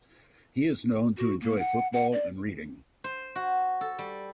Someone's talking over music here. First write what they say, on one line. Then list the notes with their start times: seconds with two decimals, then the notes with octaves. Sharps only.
He is known to enjoy football and reading.
1.18 F#4
1.41 A#3
1.59 F#5
1.93 F#5
2.12 D5
3.04 C5
3.35 F#4
3.81 A4
3.99 G3